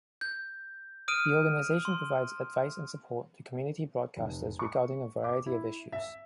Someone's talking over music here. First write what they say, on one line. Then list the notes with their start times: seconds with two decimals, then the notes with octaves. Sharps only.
The organisation provides advice and support to community broadcasters regarding a variety of issues.
0.21 G6
1.08 D#6 F6 D7 D#7
1.85 C6
4.16 F1
4.59 C#6
5.24 D6
5.46 E4
5.92 E5